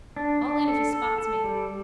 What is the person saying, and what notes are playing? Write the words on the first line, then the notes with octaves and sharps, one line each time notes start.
All in if he spots me.
D4
D4
A4
A4
A4
G3